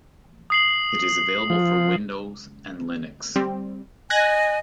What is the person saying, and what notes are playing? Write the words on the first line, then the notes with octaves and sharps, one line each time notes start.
It is available for Windows, and Linux.
D#6 C7 F#7
F3
G3 C4
D#5 G#5 F#6 G#6 A#6